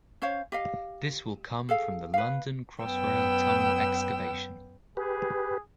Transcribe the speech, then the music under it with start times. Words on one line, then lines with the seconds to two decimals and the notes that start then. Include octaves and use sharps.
This will come from the London Crossrail tunnel excavation.
0.22 C#4 C5 C#5 F5
0.52 G4 D#5 F5
1.69 G#4 A4 F5
2.14 B4 F5
2.84 F#2 B3 G5 E6
4.97 G4 G#4 B4